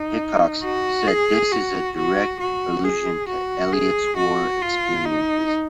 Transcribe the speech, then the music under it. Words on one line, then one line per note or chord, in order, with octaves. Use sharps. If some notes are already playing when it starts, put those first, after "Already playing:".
Hickox said this is a direct allusion to Elliott's war experiences.
Already playing: D#4
F#4
G#4
F#4
F#4
F#4
G#4
F#4
G#4
F#4
F4
D#4